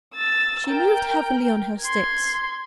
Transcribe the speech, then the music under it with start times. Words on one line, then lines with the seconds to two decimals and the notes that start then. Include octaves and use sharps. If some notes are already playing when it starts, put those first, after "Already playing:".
She moved heavily on her sticks.
0.14 E6 A6
0.67 A#4 G5
1.82 C6 G#6